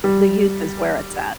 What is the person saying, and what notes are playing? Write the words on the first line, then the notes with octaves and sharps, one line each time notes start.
The youth is where it's at.
G3